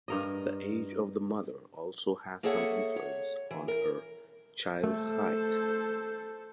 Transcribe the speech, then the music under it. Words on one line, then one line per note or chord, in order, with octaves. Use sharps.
The age of the mother also has some influence on her child's height.
G2 A#4 D#5
A#3 G#4 A4 C#5 E5 F#5
C#5
E3
A#4
A3 A4 C5